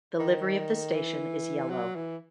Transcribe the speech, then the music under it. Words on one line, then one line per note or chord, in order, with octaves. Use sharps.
The livery of the station is yellow.
D#3
E3
F#3
E3